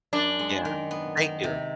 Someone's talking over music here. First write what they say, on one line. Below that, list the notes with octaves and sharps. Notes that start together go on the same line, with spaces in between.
Yeah, well thank you.
F#2 D4
G#3
D#3
B3
D#3
C3